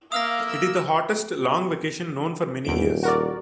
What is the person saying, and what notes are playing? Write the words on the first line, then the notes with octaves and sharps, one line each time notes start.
It is the hottest long vacation known for many years.
A#3 E5 F5 D#6 F6 A#6
E6
D#1 E2 D7
F#4 A#4 D5